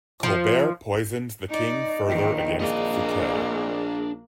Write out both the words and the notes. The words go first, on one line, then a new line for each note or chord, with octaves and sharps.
Colbert poisons the king further against Fouquet.
F3
D#4 D5 D#5
A#1 D#3 G5
A#3 D4 G#4 D#5